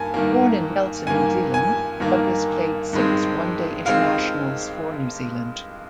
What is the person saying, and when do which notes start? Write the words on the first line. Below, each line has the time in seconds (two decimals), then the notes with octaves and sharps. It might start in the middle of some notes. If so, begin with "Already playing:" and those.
Born in Nelson, New Zealand, Douglas played six One Day Internationals for New Zealand.
Already playing: G2 D#3 A#3 G#5
0.14 G2 D#3 A#3
1.07 G2 D#3 A#3 G#5
1.54 G#5
2.00 G2 D#3 A#3
2.93 G2 D#3 G#3 C4
3.86 D#3 G#3 C4 F5